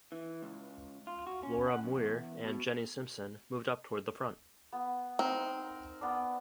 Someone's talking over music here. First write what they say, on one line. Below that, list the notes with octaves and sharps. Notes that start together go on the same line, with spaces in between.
Laura Muir and Jenny Simpson moved up toward the front.
E3
C#2
F4
F#4
C#4
F#5
F#2
E2
B2
B3
C4 D#4 A#4
B3 D4